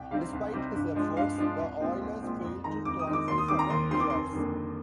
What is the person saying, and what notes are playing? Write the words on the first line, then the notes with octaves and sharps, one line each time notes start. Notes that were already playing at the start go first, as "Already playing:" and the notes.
Despite his efforts, the Oilers failed to qualify for the playoffs.
Already playing: C2 G5
C3 G3 C4 D#4 F5
C2
C3 G3 C4 D#4
G2
F3 G#3 D4
G2 F5
F3 G#3 D4
C2
A#2 F3 G#3 C4
C2
A#2 F3 G#3 C4
F2
D#3 G#3 D#4 A#5
F2 D6
D#6
D#3 G#3 D#4
D6
D#2 C6
D#6
D#3 G3 C4 D6
A#5
D#2 C6
D#3 G3 C4 C6
D6
F1 C6
F2 D3 G3 A#3
F1